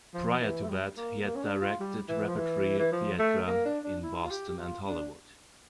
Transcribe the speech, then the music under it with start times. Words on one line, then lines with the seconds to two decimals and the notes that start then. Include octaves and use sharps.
Prior to that, he had directed repertory theatera in Boston and Hollywood.
0.14 F3
0.41 E3
0.63 A3
0.69 G3
0.97 A#3
1.24 A#3
1.35 C#4
1.43 D4
1.62 F4
1.80 G3
2.09 E3
2.27 F3
2.36 E3
2.79 E3
2.92 F3
3.19 A3
3.48 A#3
3.66 D4
3.84 D4
4.03 E4
4.24 F4
4.31 G4
4.49 G4
4.59 F4
4.87 D4